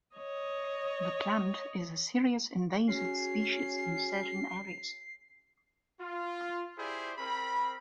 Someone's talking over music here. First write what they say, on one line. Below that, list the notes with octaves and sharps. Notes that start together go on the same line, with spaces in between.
The plant is a serious invasive species in certain areas.
C#5 D#5
C#4 F#4 G#4 C7
F4
E4 G4 G#4 C5 D5
C4 A#4 B5